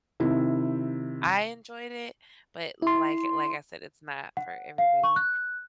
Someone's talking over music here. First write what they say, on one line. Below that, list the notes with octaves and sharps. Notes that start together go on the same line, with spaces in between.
I enjoyed it, but l like like I said, it's not for everybody.
C3 D#3 E4
E4 C6
F#5
F5
C#6
F#6